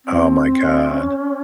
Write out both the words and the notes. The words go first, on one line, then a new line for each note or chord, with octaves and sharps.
Oh my god.
C4
C#4